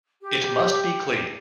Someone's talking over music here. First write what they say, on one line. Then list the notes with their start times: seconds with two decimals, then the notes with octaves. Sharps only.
It must be clean!
0.21 G4